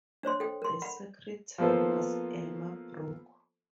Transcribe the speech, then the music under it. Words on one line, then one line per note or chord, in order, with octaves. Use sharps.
The secretary was Emma Brooke.
D4 C5 C#5 C6
A4 G5
A#4 C6
F#5 B5
F3 A#3 B3 A4 C5